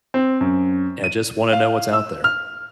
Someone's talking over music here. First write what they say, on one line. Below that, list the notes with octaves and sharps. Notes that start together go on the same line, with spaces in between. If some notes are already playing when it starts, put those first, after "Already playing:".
and just wanna know what's out there,
C4
F#2
D#7
F5
E6
F6